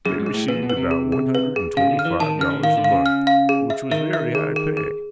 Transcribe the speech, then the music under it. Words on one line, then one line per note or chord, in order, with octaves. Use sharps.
They received about one hundred and twenty-five dollars a month, which was very high pay.
F#2 G#4
G#2
G#4
A2
A#2 B4
B2
B4
C3
G#4
G#4
B4
G#4
C#3 F5
D3
F6
E3
D#3 A5
C#3 F6
D3
D#3 F5
D3
F5
C#3
F6
F5
G#4
E5
D#3 E5
E5
G#4
G#4
G#4